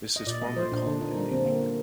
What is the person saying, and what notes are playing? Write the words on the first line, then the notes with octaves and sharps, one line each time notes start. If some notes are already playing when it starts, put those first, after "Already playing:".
This is formally called an inning.
D#5
A#2 D5
A3 D#5
F3 C5
A#2 D4
D3 D4
A#3 D#4
G3 D4
D3 C4
D3 A#3
A#3